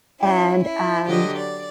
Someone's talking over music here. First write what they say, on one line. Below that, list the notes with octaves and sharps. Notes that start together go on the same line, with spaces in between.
and, um,
C#4 E4
E4
D3 F#3 G4 D#5
D5